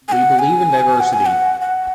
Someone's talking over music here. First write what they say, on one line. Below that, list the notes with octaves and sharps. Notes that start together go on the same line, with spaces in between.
We believe in diversity.
G#5
F#5
G#5
F#5
G#5
F#5
F#5